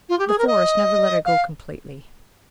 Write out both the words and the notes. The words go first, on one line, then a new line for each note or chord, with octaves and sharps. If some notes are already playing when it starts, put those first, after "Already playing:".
The Forest never let her go completely.
F4
G4
G#4
A#4
D#5
F5